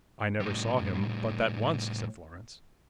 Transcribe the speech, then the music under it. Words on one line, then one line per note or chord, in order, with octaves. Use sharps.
"I never saw him but that once," said Florence.
A2 G3